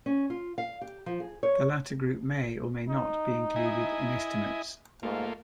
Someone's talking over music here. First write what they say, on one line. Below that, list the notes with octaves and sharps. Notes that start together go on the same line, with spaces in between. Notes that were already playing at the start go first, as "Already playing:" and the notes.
The latter group may or may not be included in estimates.
C#4
F4
F5
G4
F3
G#4
C#5
D#4
E4 D#5 G#5
G#2 A3 A#3 F4